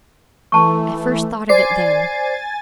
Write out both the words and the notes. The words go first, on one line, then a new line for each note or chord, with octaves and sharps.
I first thought of it then.
E3 A3 A5 C#6
C5 D5 G#5 A6 C7